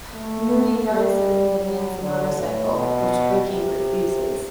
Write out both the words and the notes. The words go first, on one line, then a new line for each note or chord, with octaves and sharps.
Moody notices and demands the motorcycle, which Ricky refuses.
A3
G3
F#3
D3
A2
B2
C3